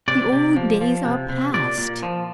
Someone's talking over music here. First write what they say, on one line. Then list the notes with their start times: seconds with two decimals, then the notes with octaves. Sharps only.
The old days are passed.
0.08 C3 D5
0.32 C3
0.56 F3
0.81 F3
1.05 C3
1.29 C3
1.54 A#2 D5
1.78 A#2
2.03 F3